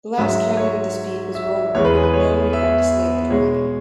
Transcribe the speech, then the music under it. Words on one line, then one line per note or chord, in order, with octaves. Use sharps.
The last candidate to speak was Roemer: No, we've got to slay the dragon.
G#2 F#3 E5
C#5
E5
E2 E3 G#3 C#5
B4
G#4
B4
C#5
E5
B2 G#3 C#5